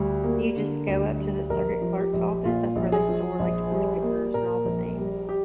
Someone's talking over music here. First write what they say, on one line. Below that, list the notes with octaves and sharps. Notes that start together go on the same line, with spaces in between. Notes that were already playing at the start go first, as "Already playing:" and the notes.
you just go up to the circuit clerk's office- that's where they store, like, divorce papers and all the things-
Already playing: D2 G3
A#3
D3
D2
G3
A#1 A#4
F3
G4
A#1
A#2 F4
A#1
G#4
F3
A#1
G3
A#3
A#2 A#4
A#1
G3
G4